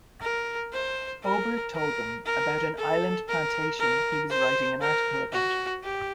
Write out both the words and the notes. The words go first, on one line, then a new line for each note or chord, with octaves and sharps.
Ober told them about an island plantation he was writing an article about.
A#4
C5
A#4
A#4
A#4
A4
A#4
A#4
C5
A#4
F#4
G4